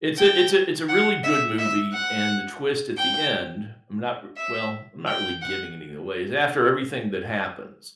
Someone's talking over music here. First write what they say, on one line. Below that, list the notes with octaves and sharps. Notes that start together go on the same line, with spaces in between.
It's a it's a it's a really good movie, and the twist at the end- I'm not r well, I'm not really giving anything away- it's after everything that happens
G5
F#5
E5
E5
F#5
G5
E5
G5
F#5